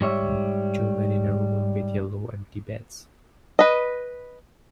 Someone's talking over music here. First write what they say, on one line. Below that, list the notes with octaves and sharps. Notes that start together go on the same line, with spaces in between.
Two men in a room with yellow empty beds.
G#2 G3 C#5 E5
B4 D#5